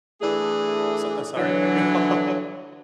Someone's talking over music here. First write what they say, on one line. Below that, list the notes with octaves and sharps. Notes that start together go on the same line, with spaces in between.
So, uh, sorry, cut you off.
E3 A3 D4 G#4
D3 E3 F#3